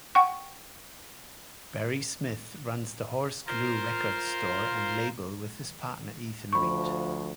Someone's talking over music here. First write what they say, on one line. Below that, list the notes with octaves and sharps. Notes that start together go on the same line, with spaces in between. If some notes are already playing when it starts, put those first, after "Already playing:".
Barry Smith runs the Horseglue Records store and label with his partner Ethan Reid.
F#5 G5 C#6
F4 A#4 C5
D2 F3 B5 C#6